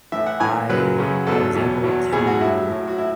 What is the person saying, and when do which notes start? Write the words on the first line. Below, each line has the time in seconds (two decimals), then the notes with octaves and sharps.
I I was able to
0.12 A2 E3 E5
0.26 F#5
0.40 A2 E3 G#5
0.69 F#2 C#3 F#3 B4
0.98 F#2 C#3 F#3
1.27 E2 B2 F#3 A4
1.55 E2 B2 F#3
1.84 E2 B2 F#3
2.12 E2 B2 F#3 G#4
2.27 F#4
2.41 A2 F#3 E4
2.70 A2 F#3
2.88 F#4
2.98 A2 E4